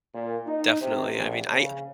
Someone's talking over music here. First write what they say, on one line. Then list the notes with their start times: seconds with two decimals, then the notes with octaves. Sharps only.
Definitely. I mean, I
0.15 A#2
0.47 D#4
0.81 C3
1.17 A#1
1.54 C#3